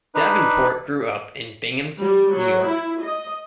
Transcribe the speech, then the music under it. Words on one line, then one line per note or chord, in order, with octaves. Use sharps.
Davenport grew up in Binghamton, New York.
D4 D#4 B4
G3
F#3
E4
D#5